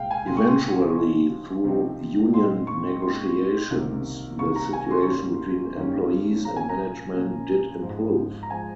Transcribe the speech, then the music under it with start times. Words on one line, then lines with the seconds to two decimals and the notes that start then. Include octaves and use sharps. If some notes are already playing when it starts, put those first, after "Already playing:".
Eventually, through union negotiations, the situation between employees and management did improve.
Already playing: C2 A#2 G#3 F5 G5
0.11 G#5
0.27 C2 A#2 G#3 C6
0.37 C#6
0.47 C6
0.95 C3 F3 C4 D#4
1.64 C3 F3 C4 D#4
2.33 A#2 G#3 C4 D#4 C6
2.67 C#6
3.02 A#2 G#3 C4 D#4 C6
3.70 C2 C3 D#3 A#3
4.39 C2 C3 D#3 A#3 C#6
4.56 A#5
4.73 G#5
4.91 C6
5.03 C#6
5.07 G2 D#3 G3 A#3 C#4 C6
5.76 G2 D#3 G3 A#3 C#4
6.45 A#2 F3 A#3 C#4 A#5
6.56 G#5
6.69 A#5
7.14 A#2 F3 A#3 C#4
7.82 G#2 F3 G#3
8.43 A#5
8.50 F3 G#3 G#5